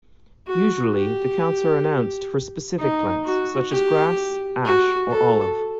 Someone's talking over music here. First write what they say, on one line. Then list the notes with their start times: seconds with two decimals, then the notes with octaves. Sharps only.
Usually, the counts are announced for specific plants such as grass, ash, or olive.
0.47 F#4
0.93 G4
2.79 D#4
3.25 F#4
3.71 G4
4.65 F#4
5.10 A4